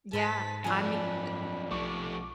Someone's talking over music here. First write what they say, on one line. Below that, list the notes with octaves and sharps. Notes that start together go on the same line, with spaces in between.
Yeah, I mean uh
G#2 A4 B4 C5 A5 B6
F#2 F3 D4 G#5 B5
B1 F3 A3 A4 C#6 D6